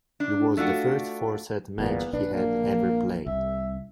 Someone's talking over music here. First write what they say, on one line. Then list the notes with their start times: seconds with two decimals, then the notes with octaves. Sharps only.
It was the first four-set match he had ever played.
0.20 D4
0.57 A3 D4 F4 F#4
1.78 G1 E2 A#2 B3
2.13 A#1 D4 B4
2.33 A#3
3.27 C2 E5